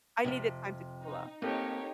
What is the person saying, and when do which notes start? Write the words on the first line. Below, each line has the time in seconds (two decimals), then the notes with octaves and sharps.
I needed time to cool off.
0.24 F2 G#2 C3
1.03 D#4
1.42 A#3 C4 D#4 G4 A4 C#5